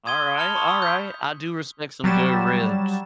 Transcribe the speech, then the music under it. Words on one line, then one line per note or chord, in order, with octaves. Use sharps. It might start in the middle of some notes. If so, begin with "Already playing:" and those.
Alright, alright, I do respect some good ribs.
C6 D#6 G#6 D#7 G7
A5 B5 F6 C#7 F7 G7
A5 C6 C#6 D#6 G7
D#6 E6
G6 B6
F#3 G3 A6 E7